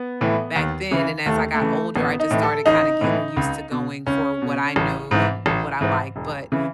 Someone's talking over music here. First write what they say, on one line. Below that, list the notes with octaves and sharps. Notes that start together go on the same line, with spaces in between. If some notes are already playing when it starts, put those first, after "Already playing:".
back then, and, as I got older, I just started kinda getting used to going for what I knew, and what I like, but,
Already playing: B3
A2 E3
D#2
C#3 E3
D#2 A3
A3
C#3 E3
A1 B3
D#4
A2 E3
A4
A1 D#4
A2 E3
C#2
B2
C#2 C#4
B2
A1
G#2 E3
A1
G#2 E3
E1
C#3 E3